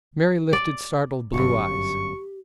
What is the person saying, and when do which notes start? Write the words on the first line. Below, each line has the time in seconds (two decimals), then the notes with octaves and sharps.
Mary lifted startled blue eyes.
0.53 D5
1.34 G1 F#2 G4 C#6